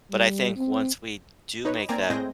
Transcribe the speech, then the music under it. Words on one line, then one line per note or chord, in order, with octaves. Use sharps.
but I think once we do make that,
G3
C4
D#4 B4 C#5
A#3 C4 D5 G#5 A#5
A2 G#3 C4 G#5 G6 A#6